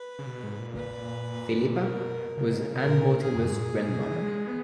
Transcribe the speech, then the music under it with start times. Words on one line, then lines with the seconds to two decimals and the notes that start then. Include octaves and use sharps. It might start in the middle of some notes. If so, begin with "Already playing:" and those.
Philippa was Anne Mortimer's grandmother.
Already playing: B4
0.19 C#3
0.26 B2
0.43 G#2
0.59 A#2
0.76 B4
1.75 B2 A#4
2.37 C#3
2.50 B2
2.62 C#3
2.74 B2 A#4
2.86 A#2
2.99 B2
3.10 A#2
3.23 G#4
3.35 F#2
3.47 G#2
3.60 A#2
3.73 A#2
3.86 B2
3.97 C#3
4.10 E3
4.22 G#3
4.47 B3